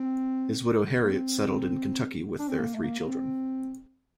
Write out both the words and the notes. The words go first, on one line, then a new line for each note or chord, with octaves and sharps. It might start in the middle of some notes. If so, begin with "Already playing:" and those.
His widow Harriet settled in Kentucky with their three children.
Already playing: C4
A#3
C4
D4
C4
A#3
A3
A#3
A#3
C4